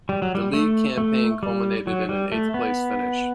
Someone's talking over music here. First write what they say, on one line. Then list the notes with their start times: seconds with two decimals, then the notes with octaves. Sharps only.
The league campaign culminated in an eighth-place finish.
0.09 G3
0.22 F#3
0.35 G3
0.53 A3
0.98 A3
1.43 G3
1.87 F#3
2.09 G3
2.32 A3
2.54 B3